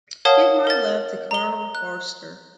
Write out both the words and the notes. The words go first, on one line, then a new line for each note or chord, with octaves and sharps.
Give my love to Colonel Forster.
A#4 C#5 F5 F#5 A5 D#6
A#4 A6
A#5 G7
F#6